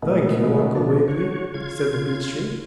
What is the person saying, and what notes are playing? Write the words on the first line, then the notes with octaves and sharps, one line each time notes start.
"Thank you, Uncle Wiggily," said the beech tree.
A#2 D#3 G#3 A3 B3
B2 D3 F3 D4
F#4 C#5
C#3 F4 G#6